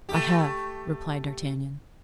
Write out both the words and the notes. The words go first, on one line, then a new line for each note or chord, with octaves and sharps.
"I have," replied D'Artagnan.
A3 G4